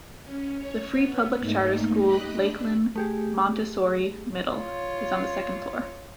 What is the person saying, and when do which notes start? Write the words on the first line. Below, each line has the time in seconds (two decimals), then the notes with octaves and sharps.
The free public charter school, Lakeland Montessori Middle is on the second floor.
0.24 C#4
0.58 C#5
0.90 B3
1.40 G#2 A3 A#3 D#4
2.03 G4 D#5 B5 F#6
2.35 D4
2.96 A3 G4 G#4
4.55 F4 C#5